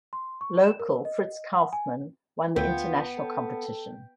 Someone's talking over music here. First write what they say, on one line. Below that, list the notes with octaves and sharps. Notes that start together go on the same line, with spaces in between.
Local Fritz Kaufmann won the international competition.
C6
C#6
E7
A#4
D#5
F#5
G#5
D2 A3 B3 F4 G5
A4